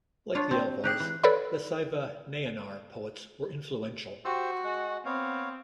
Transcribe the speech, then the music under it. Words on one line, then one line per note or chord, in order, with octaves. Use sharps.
Like the Alvars the Saiva Nayanar poets were influential.
D4 F4 C#5
C4
D#4 G4 G#4 F#6
E3
A4 B4 C#5 D5 B5
F#4 G4 C5 E6
G#3 F#5
B3 C4 C#5 F5